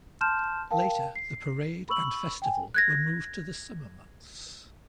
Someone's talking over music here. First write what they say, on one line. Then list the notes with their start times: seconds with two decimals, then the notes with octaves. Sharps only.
Later, the parade and festival were moved to the summer months.
0.21 A5 C6 F6 G6 E7
0.71 A#4 F5 G5 A5
1.15 C7
1.89 B5 C#6 E6 F#7
2.42 G5 G#5
2.74 F#6 G#6 A#6